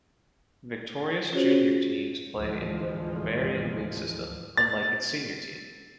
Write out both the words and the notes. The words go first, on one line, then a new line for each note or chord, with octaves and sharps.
"Viktorias" junior teams play in the Bavarian league system, unlike its senior team.
C#4 F4 F#4 G#4 C5 C#5
D2 G#2 E3 F3 G#3
A6